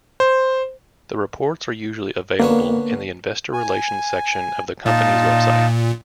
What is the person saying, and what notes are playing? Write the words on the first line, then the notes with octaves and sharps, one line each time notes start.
The reports are usually available in the investor relations section of the company's website.
C5
D3 A#3 B3 C#5
G#5
A#2 D#4 F4 A5